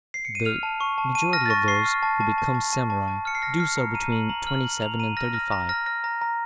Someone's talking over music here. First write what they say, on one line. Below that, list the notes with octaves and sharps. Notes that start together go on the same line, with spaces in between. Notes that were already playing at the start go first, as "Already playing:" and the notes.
The majority of those who become samurai do so between twenty-seven and thirty-five.
C7
C#7
D#7
F6 F7
A5
C#6
A5
A5 D#7
F6 A#6
A6
C#6 A#6
C#6 C7
F6
A5
A5
A5
A5
A5
A5
A5
F6 C#7
C7
F6 A#6
F6 C7
A#5 C#7
A#5 D#7
A#5 F#7
A#5 F#7
F6 F#7
F6 F#7
A#5 F7
A#5 D#7
F6 A#6
F6 A#6
A#5 A#6
F6 A#6
F6 A#6
A#5 A#6
A#5